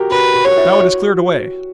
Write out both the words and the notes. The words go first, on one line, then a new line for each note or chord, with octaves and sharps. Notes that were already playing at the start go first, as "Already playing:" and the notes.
Now it has cleared away!
Already playing: F#4 G4 A#4
F#4 B4
F#4
F#4 C#5
E4
F#4